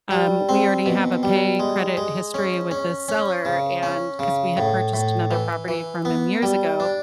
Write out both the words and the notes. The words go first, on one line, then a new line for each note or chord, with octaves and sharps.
um, we already have a pay credit history with the seller and 'cause we had purchased another property from him years ago,
G3
C4
B2
G3
G#3
G#3
C#4
C#4
C#4
C#3
C#4
C#3
A2
A2
E3
E3
B3
G3
D4